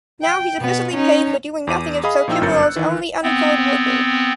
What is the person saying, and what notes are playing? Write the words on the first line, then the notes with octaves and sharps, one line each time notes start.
Now he's officially paid for doing nothing as Clochemerle's only unemployed worker.
G5
B2 B3
C#4 D#4
E2 D6 D#7
G#4 D#5 F5 B5 D#6
A#2 F3 D#4 E4 G5 E6
G1 F#2 A#4 G6 A6 C#7
F#6
D#3 E3
B3 C4